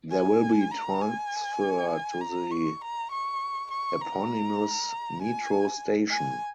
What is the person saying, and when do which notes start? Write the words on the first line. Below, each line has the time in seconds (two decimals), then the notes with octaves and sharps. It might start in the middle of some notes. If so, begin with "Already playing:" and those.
There will be transfer to the eponymous metro station.
0.11 G#5
0.72 A#5
1.01 G#5
2.21 A#5
2.51 C#6
2.81 A#5
3.12 C#6
3.71 C#6
4.01 A#5
5.22 G#5
6.11 G#5